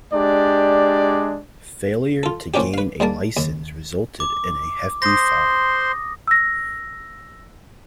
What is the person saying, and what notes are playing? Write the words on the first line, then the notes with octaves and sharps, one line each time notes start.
Failure to gain a licence resulted in a hefty fine.
G#3 D4 G4 D5
F4 A4
F3 A#3 C#4 D4 G4
B4 F5
G#2 G3 A#3 A5
D#2
D6
C5 C6 D#6 A#6
E6 A#6